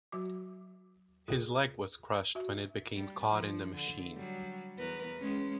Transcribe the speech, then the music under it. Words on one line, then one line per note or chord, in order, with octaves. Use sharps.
His leg was crushed when it became caught in the machine.
F#3 F#4 D6
F4 G#4
F#4 E5
G3
F3
D3
F#3 G3
E2 A#4 B4
G#3 C#4